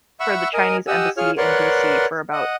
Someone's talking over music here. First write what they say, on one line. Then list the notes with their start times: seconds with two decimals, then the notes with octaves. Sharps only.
for the Chinese embassy in DC for about
0.20 E5 F#5 B5 C#6 E6
0.54 A#4 D#5 G#5
0.88 G4 D#5 F#5 G#5 E6
1.17 F4 G#4 C#5 F6
1.38 A#4 B4 C#5 D5 F#5 C6
2.33 D#5 F#5